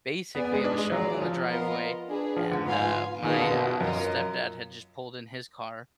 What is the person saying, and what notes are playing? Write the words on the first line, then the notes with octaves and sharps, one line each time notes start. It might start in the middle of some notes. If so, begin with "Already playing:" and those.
basically I was shoveling the driveway and, uh, my, uh, stepdad had just pulled in his car,
B3 G#4 B4 D5 G#5
B3
G#3
D4
G#3
F#3 F4 G#4 D5
F3
B3 F4 A#4 D#5
D4 G#4 B4
F3
D3
G#2 F4 B4 F5 G#5
D#3 A#3 F4 G#4 B4 D#5
B2
D3
B2
B2
F#2 F4 A#4 D#5